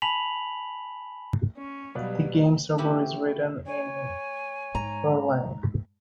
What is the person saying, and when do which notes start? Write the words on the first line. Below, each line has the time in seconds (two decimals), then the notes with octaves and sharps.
The game server is written in Erlang.
0.02 G#5 A5 B5 B6 F7 F#7
1.58 C#4
1.95 B2 F#3 G3 B4 F5
2.78 C#4 E4 F#4 G4 B4
3.66 C#5 G#5
4.75 G#2 A#5